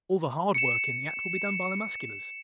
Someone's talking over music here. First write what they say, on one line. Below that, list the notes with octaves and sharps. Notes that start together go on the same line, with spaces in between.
All the hard work in the act will be done by Musculars.
C#7 E7